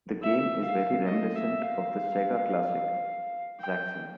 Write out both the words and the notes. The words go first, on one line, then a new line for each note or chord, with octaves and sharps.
The game is very reminiscent of the Sega classic Zaxxon.
E5
F5
D#5
E5
F5
G5